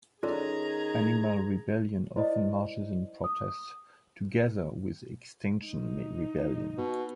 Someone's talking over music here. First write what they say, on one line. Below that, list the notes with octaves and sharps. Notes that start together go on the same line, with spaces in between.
Animal Rebellion often marches in protests together with Extinction Rebellion.
D#3 C#4 F4 G#4 A4 D5 A#5 G#6
E4 C5 D5 D#5
D#6
D#4
B2